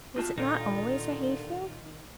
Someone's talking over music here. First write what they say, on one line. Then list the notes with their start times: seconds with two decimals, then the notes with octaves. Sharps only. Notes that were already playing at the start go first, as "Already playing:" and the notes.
Was it not always a hay-field?
0.16 B2 F4 A5
0.38 A#2 D3 D#3 D#4 F4